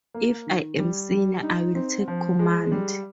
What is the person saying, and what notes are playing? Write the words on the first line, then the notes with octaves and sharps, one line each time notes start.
If I am senior, I will take command.
A#3
D#3
G3
G3
D#4
C4
F3
G#3
G3